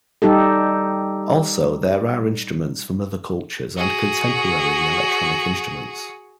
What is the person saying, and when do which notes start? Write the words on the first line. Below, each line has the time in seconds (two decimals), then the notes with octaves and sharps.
Also, there are instruments from other cultures and contemporary electronic instruments.
0.22 G3 D#4 G4 A4
3.77 F#4 G#4